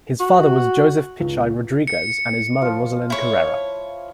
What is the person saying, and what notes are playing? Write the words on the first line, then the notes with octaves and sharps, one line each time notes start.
His father was Joseph Pichai Rodriguez and his mother Roselin Correra.
F#4
C#2
C#7
F3 F4
E4 C#5